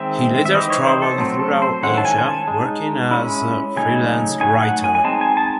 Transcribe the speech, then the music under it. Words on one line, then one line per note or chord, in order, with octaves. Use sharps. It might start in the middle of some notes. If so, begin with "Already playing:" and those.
He later traveled throughout Asia working as a freelance writer.
Already playing: D#3 G#3 C4 E5
E5
E3 C4 D#4 D#5
C#5
C5
A4
F#3 A3 C4
A4
C5
D#3 G#3 C#4 E4 F#5
A5
G#5
G#5
A5
G#3 D#4
G#3 C#4 E4
C#3 F#3 A3 D#4 G#5
F#3 A3 D#4 G#5
F#5
G#5
G#5
G#3 C4 D#4 A5
G#5
A5